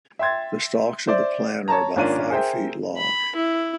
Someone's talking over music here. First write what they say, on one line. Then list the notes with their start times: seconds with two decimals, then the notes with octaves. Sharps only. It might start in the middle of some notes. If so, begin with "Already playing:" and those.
The stalks of the plant are about five feet long.
0.19 E5 G5 C6 G#6 A6
1.07 C5 D5 E5
1.68 C#5 A5 A#5
1.96 G#1 A#3 C#4 D4 F4 D#7
2.30 G#4 A#4 C5 E5 G5
2.97 B5
3.36 E4